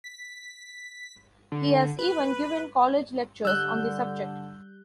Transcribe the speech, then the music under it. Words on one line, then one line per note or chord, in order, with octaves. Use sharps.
He has even given college lectures on the subject.
B6
D3
B4
D3 G3 E6 F#6 G6